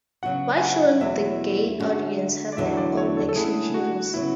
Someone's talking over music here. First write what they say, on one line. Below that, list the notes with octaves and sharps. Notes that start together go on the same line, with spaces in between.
Why shouldn't the gay audience have their own action heroes?
C#3 F#3 B3 F#4 F#5
G#5
F#5
E2 B2 F#3 A3 E5
D3 G#3 C#4 F#4
D5
E2 D3 F#3 B3 E4 E5
D5
C#5
A4
A4
D3 A3 C#4 E4 G#4
F#4
C#3 F#3 B3 E4